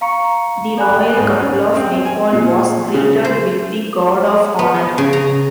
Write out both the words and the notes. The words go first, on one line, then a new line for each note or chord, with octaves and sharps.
The royal couple of Nepal was greeted with the 'guard of honor'.
F5 A#5 C#6 C#7
A4 D5 G#5 B5 F#6
G#2
C#4
C4
G#5
A#2
C#3
C5
B3
C#3
A#5